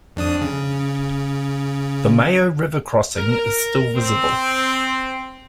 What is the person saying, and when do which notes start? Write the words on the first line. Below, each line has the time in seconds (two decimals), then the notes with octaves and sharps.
The Mayo River crossing is still visible.
0.16 F2 D4 D#6
0.41 C#3
3.16 A#4
3.95 C4